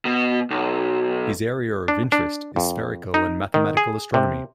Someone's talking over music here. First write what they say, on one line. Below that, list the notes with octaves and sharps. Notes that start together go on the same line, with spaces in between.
His area of interest is spherical and mathematical astronomy.
B2
B1
D4
D4
F2
D#4
D#3
G#4
C3